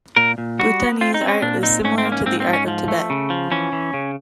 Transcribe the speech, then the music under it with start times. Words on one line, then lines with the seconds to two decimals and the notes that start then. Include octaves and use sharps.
Bhutanese art is similar to the art of Tibet.
0.16 A#2 A#4
0.38 A#2
0.59 G3 F#4
0.80 B3
1.01 C4 F4
1.14 D#4
1.21 C4
1.28 C#4
1.42 A#2 D4
1.63 C4 D#4
1.84 G#2 C#4
1.98 C4
2.05 A#3
2.12 C#4
2.26 G#2 C4
2.40 C4
2.47 G#2
2.53 C#4
2.68 F3
2.88 A3
3.10 C#3
3.30 F3
3.51 E3 C#4
3.73 E3
3.94 C#3